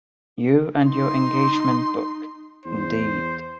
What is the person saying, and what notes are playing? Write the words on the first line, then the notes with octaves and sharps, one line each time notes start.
You and your engagement book, indeed.
D#4 C6
E2 C5